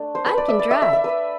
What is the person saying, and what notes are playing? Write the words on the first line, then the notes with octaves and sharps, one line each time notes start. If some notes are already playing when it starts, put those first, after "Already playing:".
I can drive.
Already playing: A3 D4
C5
B4
D5
E5
D5
E5
E5
E5
B4